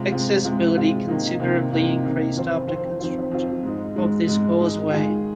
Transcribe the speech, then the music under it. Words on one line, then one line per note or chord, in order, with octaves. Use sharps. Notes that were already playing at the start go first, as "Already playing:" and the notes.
Accessibility considerably increased after construction of this causeway.
Already playing: C3 G#3 F4
C3 G#3 F4
C3 G#3 F4
C3 G#3 F4
C3 D#3 A#3 D#4
C3 D#3 A#3 D#4
C3 D#3 A#3 D#4
C3 D#3 A#3 D#4
F2 D#3 C4 F4 C5
F2 D#3 C4 F4 C5
F2 D#3 C4 F4 C5
F2 D#3 C4 F4 C5
G#2 G#3 D#4
G#2 G#3 D#4
G#2 G#3 D#4
G#2 G#3 D#4
D#3 G#3 F4 G#4